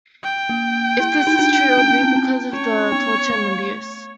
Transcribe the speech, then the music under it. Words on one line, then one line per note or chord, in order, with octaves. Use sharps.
If this is true it would be because of his torture and abuse.
G5
A#3
E4
D#4
D4
C#4
B3
C4
C#4
C#4 C#5
B3
A3